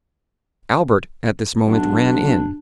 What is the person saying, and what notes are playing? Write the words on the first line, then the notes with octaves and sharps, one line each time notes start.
Albert at this moment ran in.
B1 D4